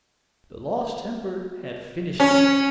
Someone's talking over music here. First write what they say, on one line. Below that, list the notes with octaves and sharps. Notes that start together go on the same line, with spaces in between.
The lost temper had finished him.
C#4